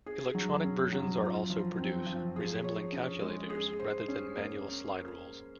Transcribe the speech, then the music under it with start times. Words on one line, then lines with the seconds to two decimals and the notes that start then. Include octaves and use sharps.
Electronic versions are also produced, resembling calculators, rather than manual slide rules.
0.06 G#4
0.35 F#3
0.64 C#4
0.92 F#3
1.21 F4
1.50 F3
1.78 C4
2.06 F3
2.36 G#4
2.64 C#5
2.92 C#4
3.22 G#3
3.50 G#4
3.79 C5
4.08 C#4
4.37 A#3